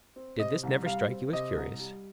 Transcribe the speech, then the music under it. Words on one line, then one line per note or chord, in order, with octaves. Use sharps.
Did this never strike you as curious?
C4
C3 D#5
C2
G3 F5
C4
C3 D#5
C2
G3